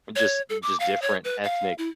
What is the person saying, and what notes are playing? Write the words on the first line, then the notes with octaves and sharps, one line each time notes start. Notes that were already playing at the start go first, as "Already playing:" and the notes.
just just different ethnic
C#5
A4
D6
F5
C#5
B4
F5
E4